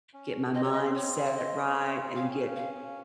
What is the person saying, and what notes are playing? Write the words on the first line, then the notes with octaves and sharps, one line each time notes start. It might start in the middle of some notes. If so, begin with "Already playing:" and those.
get my mind set right and get,
C#4
C4 D#5
C#5
D#5
C#5
C#5
D#5
C#4 F5
F5